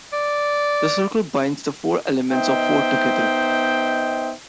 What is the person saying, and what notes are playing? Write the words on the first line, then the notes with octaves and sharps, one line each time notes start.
The circle binds the four elements of four together.
D5
B3 D#4 C5 D#5 E5 G5